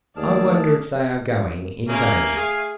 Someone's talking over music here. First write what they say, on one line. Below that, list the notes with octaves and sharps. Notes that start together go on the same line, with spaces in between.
"I wonder if they are going in bathing."
D#2 A3 G#4 D5 A5 F6
C#3 A3 A#3 G#5
G#4 F5